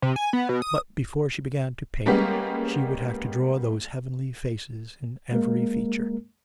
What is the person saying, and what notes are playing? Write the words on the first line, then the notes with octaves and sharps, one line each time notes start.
But before she began to paint she would have to draw those heavenly faces in every feature.
C3
G#5
B3
B2
D#6
G3 G#3 A#3 B3 C#4 G4
G#3 A#3 A#4